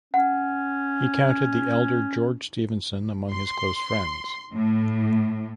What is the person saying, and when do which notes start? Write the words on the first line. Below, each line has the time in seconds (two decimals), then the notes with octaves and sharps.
He counted the elder George Stephenson among his close friends.
0.14 C#4 F#5
3.32 C6
4.54 A2